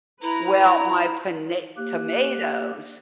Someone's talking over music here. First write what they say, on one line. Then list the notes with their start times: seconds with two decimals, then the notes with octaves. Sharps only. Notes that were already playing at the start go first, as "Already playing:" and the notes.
Well, my pona tomatoes
0.22 E4 B4 A#5
1.77 A#3 G4 F#6